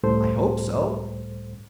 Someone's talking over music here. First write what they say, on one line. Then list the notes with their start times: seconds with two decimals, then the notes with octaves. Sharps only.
"I hope so."
0.03 C#2 A2 G3 A4 C5